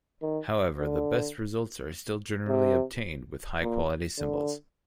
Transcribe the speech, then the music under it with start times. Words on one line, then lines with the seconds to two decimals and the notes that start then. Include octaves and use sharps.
However the best results are still generally obtained with high quality cymbals.
0.22 D#3
0.78 D3
2.48 C3
3.62 A#2
4.18 D3